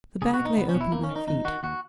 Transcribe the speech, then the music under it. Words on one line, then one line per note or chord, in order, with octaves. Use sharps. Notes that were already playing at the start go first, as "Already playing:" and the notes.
The bag lay open at my feet.
C#2 G#4
F#4
B2
D#4
C#2 B3
C#4
B2
E4
E2 A#3
C#4
D#3
D#4
E2 D#4
D#3 F#4
D#2 F#4